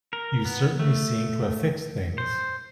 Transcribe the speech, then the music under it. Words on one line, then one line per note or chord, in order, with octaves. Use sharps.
You certainly seem to have fixed things.
A#4
B3
A3
C5